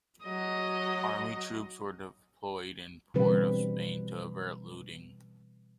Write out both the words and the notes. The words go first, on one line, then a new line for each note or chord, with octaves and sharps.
Army troops were deployed in Port of Spain to avert looting.
F#3 D#5
B2 D3 E3 G3 C4 B4